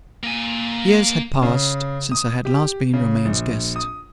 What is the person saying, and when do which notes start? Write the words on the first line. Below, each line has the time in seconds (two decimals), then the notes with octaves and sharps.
Years had passed since I had last been Romayne's guest.
0.23 A#3 G#5
1.42 C#3
2.12 D#6
2.45 G4
2.93 C#3
3.25 A#1
3.76 D#6